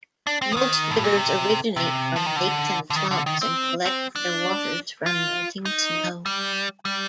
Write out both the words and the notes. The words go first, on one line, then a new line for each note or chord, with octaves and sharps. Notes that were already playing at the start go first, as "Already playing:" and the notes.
Most rivers originate from lakes and swamps and collect their waters from melting snow.
D4
C4
F3
D#3
A2
A#2
C3
C3
F3
D#3
D3
D3
D#3
D3
D#3
C4
C4
D4
F4
D#4
G3
G3